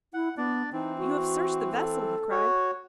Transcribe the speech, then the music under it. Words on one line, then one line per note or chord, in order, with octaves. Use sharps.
"But you have searched the vessel?" he cried.
E4 F#5
B3 D4 D5
E3 C4 D#4
F#4
A4
F#4 C#5